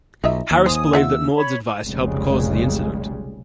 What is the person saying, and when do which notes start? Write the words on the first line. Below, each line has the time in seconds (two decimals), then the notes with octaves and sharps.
Harris believed that Maude's advice helped cause the incident.
0.24 B1 D#4 F4 E5
0.51 D#2
0.66 C5 G#5 D#6
0.93 F4 E5 F#5 E6
1.36 C#5 B5
1.86 F1 B1 C#3 G3 G#3